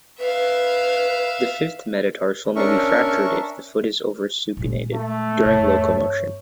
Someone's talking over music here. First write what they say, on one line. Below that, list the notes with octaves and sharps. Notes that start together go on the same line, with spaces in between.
The fifth metatarsal may be fractured if the foot is oversupinated during locomotion.
B4 E5 F5
C#4 D4 A#4 E5 C#6
A#2 G#3
A3
E2 G#2 C#5
G2 B3